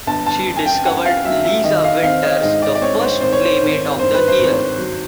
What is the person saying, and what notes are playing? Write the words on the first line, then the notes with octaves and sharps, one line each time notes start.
She discovered Lisa Winters, the first Playmate of the Year.
G1 A5
A5
F#2
G#5
G5
F#2 F#5
F5
F#3 E5
E5
D#3 D#5
F5
C4 F5
D#5
G#2 D#5
D5
D5
C4 C#5
C5
G#1 C5
C#5
C5
G#1
G2 C5
B4
C5
G#1
F#3